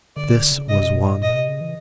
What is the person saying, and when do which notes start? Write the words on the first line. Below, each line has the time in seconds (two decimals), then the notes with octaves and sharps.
This was one.
0.16 D3 D5
0.33 D3
0.52 C#3
0.69 C3 D#5
0.86 B2
1.04 A2
1.21 A#2 D#5
1.34 C3
1.48 C#3
1.61 E3